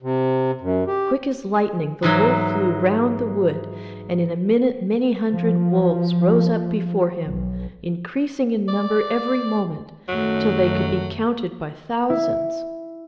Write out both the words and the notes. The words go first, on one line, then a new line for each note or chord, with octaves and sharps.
Quick as lightning the wolf flew round the wood, and in a minute many hundred wolves rose up before him, increasing in number every moment, till they could be counted by thousands.
C3
F#2
G4
G#2 E3 F#3
F3
B1
D5
F#2 D#3 F#3 A3
E4